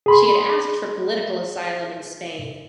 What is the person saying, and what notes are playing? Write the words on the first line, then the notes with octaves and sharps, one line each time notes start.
She had asked for political asylum in Spain.
G#4 B5 C6